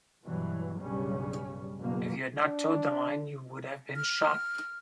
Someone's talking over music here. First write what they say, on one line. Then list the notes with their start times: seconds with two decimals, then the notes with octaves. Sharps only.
If you had not toed the line you would have been shot.
0.24 G2 B2 E3 F#3
0.79 B1 G2 C#3 G3 C#4
1.79 F#1 B2 A#3
2.43 D4
3.96 F6